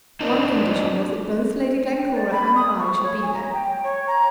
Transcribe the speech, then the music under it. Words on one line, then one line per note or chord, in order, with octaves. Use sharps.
One condition was that both Lady Glencora and I should be there.
C4 D4 D#4
G5
D5
B5
D#6
C#6
C#5
G#5
A#5
G5
C#5
A#5